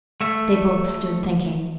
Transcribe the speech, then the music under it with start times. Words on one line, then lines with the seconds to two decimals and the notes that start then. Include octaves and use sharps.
They both stood thinking.
0.21 A3 E5